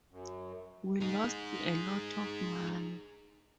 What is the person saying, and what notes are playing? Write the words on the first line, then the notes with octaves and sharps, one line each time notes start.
We lost a lot of money.
F#2
D#4 G#4